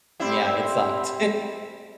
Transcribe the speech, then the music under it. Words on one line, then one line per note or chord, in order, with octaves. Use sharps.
Yeah, it sucked.
G3 C4 E4